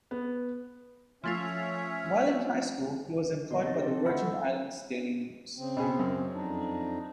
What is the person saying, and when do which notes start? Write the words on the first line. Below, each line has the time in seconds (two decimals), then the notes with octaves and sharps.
While in high school he was employed by the Virgin Islands Daily News.
0.11 B3
1.24 F3 A3 C#4 F4 C#5 E5
3.51 B2 D#5 C6
3.63 C3 D#3 A6
3.76 C4 G4
3.90 A4
4.06 D2 F4 E5 F#5 B5 E6
5.58 C#3 C4
5.77 B2 B3 G#4
5.99 F#2
6.34 F2 D4 D#4